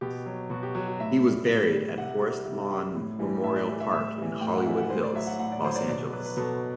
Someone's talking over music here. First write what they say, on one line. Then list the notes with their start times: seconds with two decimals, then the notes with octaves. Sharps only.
He was buried at Forest Lawn Memorial Park, in Hollywood Hills, Los Angeles.
0.01 B2 G4
0.26 F#3
0.50 B2 F#4
0.63 G4
0.75 F#3 F#4
0.88 F#4
1.00 A2 E5
1.24 G3
1.48 A2
1.73 G3
1.98 C3 F#5
2.22 G3
2.45 C3
2.71 G3
2.95 A2
3.19 E3 G3
3.43 A2 E5
3.56 D5
3.69 E3 G3
3.80 E5
3.93 A2 E5
4.18 E3 G3
4.41 A2 G5
4.55 F#5
4.66 E3 G3 E5
4.78 F#5
4.90 A2 C5
5.03 D5
5.14 F#3 E5
5.27 F#5
5.39 A2 F#5
5.52 D5
5.64 F#3 C5
5.76 D5
5.88 B2 D5
6.13 F#3 B4
6.26 B4
6.37 B2 A4